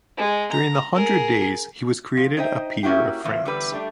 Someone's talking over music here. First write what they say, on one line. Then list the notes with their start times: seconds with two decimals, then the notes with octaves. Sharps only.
During the Hundred Days he was created a Peer of France.
0.17 G#3
0.52 A#5
0.94 G#4 A#4
2.17 F3
2.37 D#4 C5 D#5 E5 G5
2.83 A#3 C#4 E4 F#4 G4
3.24 E2 E3 F3
3.45 E2 D3 G3 G4 B4
3.72 G3 A3 D4